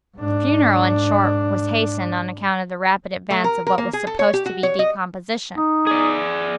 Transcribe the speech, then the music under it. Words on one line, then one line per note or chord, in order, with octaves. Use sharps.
The funeral, in short, was hastened, on account of the rapid advance of what was supposed to be decomposition.
G#2 D4
A3
A#4
A#4
A#3
G#4
A4
C#5
G4
F#4
C#5
D#5
D#4
G#4 D5